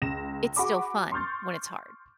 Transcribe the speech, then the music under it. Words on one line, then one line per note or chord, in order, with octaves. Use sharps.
it's still fun when it's hard.
C#2 A#6 E7
F#4 G#4 B5 C#6 D6
C6 C#6 F6 G6 A6